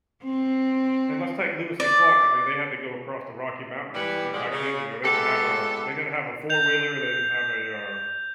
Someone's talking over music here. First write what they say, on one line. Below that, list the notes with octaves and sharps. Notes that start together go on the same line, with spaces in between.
And let's take Lewis and Clark, I mean, they had to go across the Rocky Mountains. And back then, you know, they didn't have a they didn't have a four-wheeler. They didn't have a, uh
C4
D5
E3 G3 B3
D3 F3 G3 G#3 C#4 D4
C#3
G#3 B3 F4 G4 A4
G6 F7